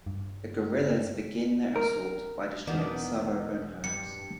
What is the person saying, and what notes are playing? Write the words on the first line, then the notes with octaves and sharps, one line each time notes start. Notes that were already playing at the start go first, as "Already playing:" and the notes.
The guerrillas begin their assault by destroying suburban homes.
G2
A#4
E1 D#3 B3 D4
G2 C#7